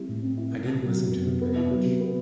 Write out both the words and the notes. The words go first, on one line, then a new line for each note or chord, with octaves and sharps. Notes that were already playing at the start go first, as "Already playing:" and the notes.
I didn’t listen to him very much.
Already playing: G3 C4 E4
A2
C4
E4
B3
C3
F#3
C3
B3
C3
B3
E4
F#3
C3
B3